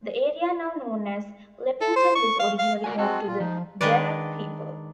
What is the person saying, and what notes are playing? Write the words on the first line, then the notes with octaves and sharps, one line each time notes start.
The area now known as Leppington was originally home to the Darug people.
A4
C5
C#6
F5
F5
F#4 A#4 D5 G#5
G#3 C4 F#4 G#4 A5
A#2 F4
F3 D#4
D#3 G#3 D4 B4 D5